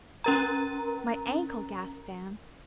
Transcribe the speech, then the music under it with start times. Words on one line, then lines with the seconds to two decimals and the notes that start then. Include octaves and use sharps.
"My ankle," gasped Anne.
0.24 C#4 A#4 A#5